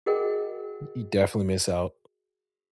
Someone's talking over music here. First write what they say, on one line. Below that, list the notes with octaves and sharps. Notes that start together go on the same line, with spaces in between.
Y you definitely miss out.
F#4 G#4 A#4 D#5 F#5 G5